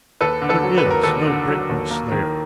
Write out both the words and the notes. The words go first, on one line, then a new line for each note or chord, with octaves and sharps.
There is no greatness there.
D#2 A4 B4
D3
A4 B4
F#3
B4
D#2
A#4
D#2 A4 B4
D3
F#3
D#2
A#3
D#3